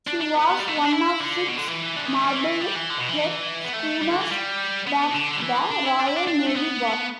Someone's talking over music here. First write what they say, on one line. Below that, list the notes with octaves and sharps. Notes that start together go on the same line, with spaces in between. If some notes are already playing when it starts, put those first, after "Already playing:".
She was one of six Marblehead schooners that the Royal Navy bought.
D4
D4
B3
G3
A3
B3
D4
E4
D3
B2
D3
E3
D4
B3
A3
G3
E3
G3
E3
D3
B2
E3
B3
A3
G3
D3
E3
G3
B3
B2
D3
G3
E3
D4
E4
D4
E4
D4
D4
A3
B3